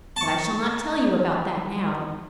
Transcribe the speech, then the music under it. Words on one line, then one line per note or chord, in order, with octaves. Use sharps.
But I shall not tell you about that now.
A5 C#6